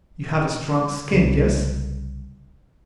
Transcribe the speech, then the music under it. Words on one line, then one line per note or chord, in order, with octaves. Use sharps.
You have a strong skin--yes?
C2 C#3 G3